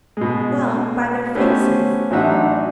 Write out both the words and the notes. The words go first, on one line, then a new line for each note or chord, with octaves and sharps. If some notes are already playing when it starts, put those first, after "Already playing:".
'Well, by their faces....'
B2 G#3
A3 B3 C#4 G4 C5
A1 F#3 D4 D#4 E5 F#5